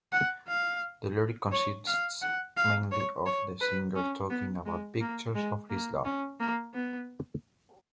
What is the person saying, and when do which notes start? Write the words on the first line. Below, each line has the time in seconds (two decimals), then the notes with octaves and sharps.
The lyric consists mainly of the singer talking about pictures of his love.
0.12 F#5
0.47 F5
1.52 C#5
1.87 F5
2.22 F#5
2.57 F5
2.92 C#5
3.26 C#5
3.61 B4
3.95 C#4
4.30 B3
4.66 G#3
5.01 A#3
5.35 G#3
5.70 A#3
6.05 C#4
6.40 A#3
6.74 B3